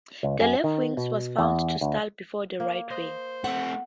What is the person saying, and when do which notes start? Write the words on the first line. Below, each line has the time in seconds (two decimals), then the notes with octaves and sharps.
The left wing was found to stall before the right wing.
0.23 C#2
0.40 F#2
0.64 D#3
0.97 B2
1.38 E2
1.81 D2
2.60 A#3
2.90 C5 D#5
3.44 A3 C4 F#5